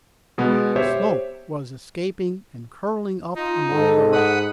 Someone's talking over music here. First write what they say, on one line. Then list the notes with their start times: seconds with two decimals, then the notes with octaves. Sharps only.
Smoke was escaping and curling up among the rocks.
0.38 B2 G#3 B3
0.76 G4 C5 C#5 E5
3.35 D#4 F4
3.72 G#2 A4
4.13 F#5 B5 D#6